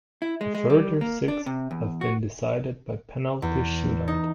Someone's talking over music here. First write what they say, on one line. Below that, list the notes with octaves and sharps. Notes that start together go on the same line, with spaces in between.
The further six have been decided by penalty shoot-out.
E4
G#3
G#3
G3
A#3
D4
C3
E2
F#4
E2
D#4